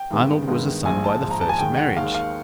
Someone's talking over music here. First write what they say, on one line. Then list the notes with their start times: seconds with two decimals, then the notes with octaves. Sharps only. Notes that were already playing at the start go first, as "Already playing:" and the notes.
Arnold was a son by the first marriage.
Already playing: G5
0.11 G2 D#3 G#3 B3
0.47 G2 D#3 G#3 B3
0.85 A#1 G#2 F3 G#5
1.04 A5
1.22 A#1 G#2 F3
1.31 A#5
1.41 A5
1.49 G#5
1.58 D#2 D#3 G#3 G5
1.77 F#5
1.96 D#2 D#3 G#3 F5
2.15 F5